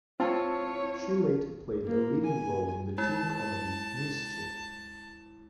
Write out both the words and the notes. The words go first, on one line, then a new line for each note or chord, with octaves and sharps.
She later played a leading role in the teen comedy "Mischief".
C4 E4 F4 C#5 A5
A#3
G#5
G#3 E4 A5